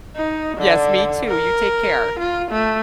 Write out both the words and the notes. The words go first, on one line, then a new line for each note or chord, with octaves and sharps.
yes, me too, you take care.
D#4
D3
A#4
F4
A3